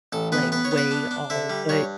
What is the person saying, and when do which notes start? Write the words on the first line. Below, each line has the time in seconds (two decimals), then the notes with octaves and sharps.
like, way all. But,
0.12 A1 A4
0.32 B3 B4
0.52 B3 B4
0.65 C#5
0.71 B3
0.78 B4
0.91 D4
1.11 D4
1.30 D3 E5
1.50 G3
1.69 G2 C#5